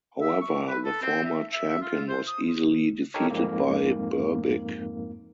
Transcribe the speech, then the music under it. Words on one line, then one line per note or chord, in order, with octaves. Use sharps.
However, the former champion was easily defeated by Berbick.
E5
C#6
B4
A4
C4
E5
E5
E5
F4
C5
D#6
D#4 G4 A4 A#4 C#5
F2 G#2 A#3